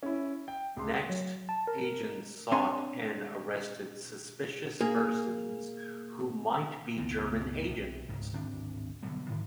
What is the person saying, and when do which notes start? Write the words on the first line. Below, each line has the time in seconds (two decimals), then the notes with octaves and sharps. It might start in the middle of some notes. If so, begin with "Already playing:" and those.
Next, agents sought and arrested "suspicious persons" who might be German agents.
0.03 C#4 E4
0.48 G5
0.77 C#2 C6
1.09 F#3
1.49 A5
1.67 A#4
2.52 C4 D4 C#5 G#5 C6
4.81 A#3 G#4
6.98 C#2 G2 D#3 B3
7.66 B1 C3
8.09 C#2 G#2
8.33 D1 G#1 C4 D4
9.03 B2 D3 F#3 G3
9.28 G#2 D#3 E3 G#3